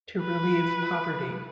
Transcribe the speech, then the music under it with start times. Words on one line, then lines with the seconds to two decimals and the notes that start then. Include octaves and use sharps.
To relieve poverty.
0.22 B4